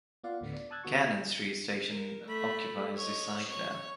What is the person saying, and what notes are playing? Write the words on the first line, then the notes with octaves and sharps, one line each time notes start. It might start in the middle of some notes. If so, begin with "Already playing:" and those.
Cannon Street station occupies the site now.
B3 F4 D5 F5 F#5
D2 A2 D3 B3
D5
A5 D#6 E6 F#6 G#6 A6
D3 B3 F#4 C#6
A#4
A3 B5
C#5 D#5
C#5